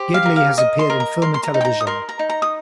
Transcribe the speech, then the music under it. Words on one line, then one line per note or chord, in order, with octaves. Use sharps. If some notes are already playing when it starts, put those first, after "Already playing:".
Gidley has appeared in film and television.
Already playing: G4 C5
F5
A#4
F5
D#5 D#6
C6
A#4
A#5
A#4 C6
C6
A#5
D#4
G5
A#5
D#6
A#4 C6
A#5
D#4
A#5
D#6